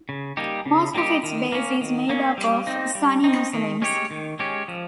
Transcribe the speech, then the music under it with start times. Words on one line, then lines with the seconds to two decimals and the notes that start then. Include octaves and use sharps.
Most of its base is made up of Sunni Muslims.
0.09 C#3
0.37 G3 A#3 D#4 G4
0.66 C#3
0.95 G3 A#3 D#4 G4
1.23 D#3
1.52 A#3 C#4
1.81 D#3
2.09 A#3 C#4
2.38 G3
2.67 C4 D#4
2.95 G3
3.24 C4 D#4
3.53 D#3
3.82 G#3 C#4 G4 C#5
4.11 D#3
4.39 G#3 C#4 G4 C#5
4.68 F3